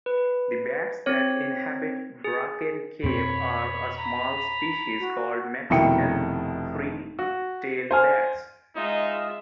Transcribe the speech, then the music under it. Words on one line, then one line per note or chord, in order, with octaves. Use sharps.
The bats that inhabit Bracken Cave are a small species called Mexican free-tailed bats.
B4
C4 C#5
G#4
F2 B2 C4 C#5 B5
A#5 B5
F#4
F1 B2 D#3 E4 G5 C#7
F#4
C5 G#5 F6
G#3 D#4 F4 D#5 E5